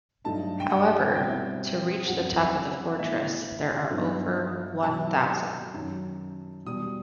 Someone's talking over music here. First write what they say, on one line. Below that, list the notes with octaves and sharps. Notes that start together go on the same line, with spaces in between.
However, to reach the top of the fortress there are over one thousand.
G2 F#3 A3 D#4 A5
G5
F#5
B2 G3 C4 E4 G5
F#2 F#3 C4 F#5
A2 E3 B3 E4 E5
G2 F#3 B3 D#4
B2 F#3 B3 E4 A5
F#2 D#3 F#3
E2 B2 G3 D#6